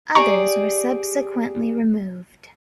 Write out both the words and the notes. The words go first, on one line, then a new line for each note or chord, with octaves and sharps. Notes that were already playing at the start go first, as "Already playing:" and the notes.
Others were subsequently removed.
G4 G#4 D5 A#5 C#6